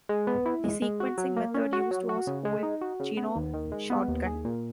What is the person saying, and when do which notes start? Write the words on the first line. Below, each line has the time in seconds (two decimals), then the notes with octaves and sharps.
The sequencing method used was whole genome shotgun.
0.09 G#3
0.27 B3
0.46 E4
0.64 G#3
0.82 G#3
1.00 F#4
1.18 F#3
1.36 A#3
1.54 C#4
1.73 F#4
1.91 F#3
2.09 F#4
2.27 C#3
2.45 G#3
2.63 D#4
2.81 F#4
3.00 C#3
3.17 B3
3.36 D#2
3.54 D#3
3.72 G#3
3.90 B3
4.08 D#2
4.26 G#4
4.45 A#2